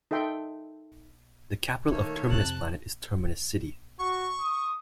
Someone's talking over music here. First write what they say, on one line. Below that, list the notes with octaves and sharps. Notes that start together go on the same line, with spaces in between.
The capital of Terminus Planet is Terminus City.
D#4 A4 E5 G5 C6
D#3 A3 A#3 C#5
F1 C3 A5 F#6
F#4 C#6
D#6